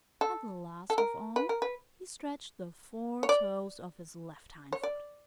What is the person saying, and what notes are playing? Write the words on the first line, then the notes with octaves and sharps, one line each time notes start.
And last of all he stretched the four toes of his left hindfoot.
A4
A4
A#4
B4
A#4
B4
C#5
D5
C#5
D5